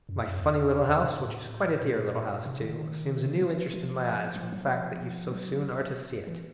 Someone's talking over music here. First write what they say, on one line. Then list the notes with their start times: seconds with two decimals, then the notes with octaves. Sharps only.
My funny little house, which is quite a dear little house too, assumes a new interest in my eyes from the fact that you so soon are to see it.
0.09 F#2
0.24 F#2
0.39 E2
0.87 E2
1.04 G#2
1.20 A2
1.82 A#2
2.46 C3
2.62 D#3
3.41 F3
3.73 F3
4.36 F3
4.52 F#3
4.68 F3
5.32 F#3
6.27 E3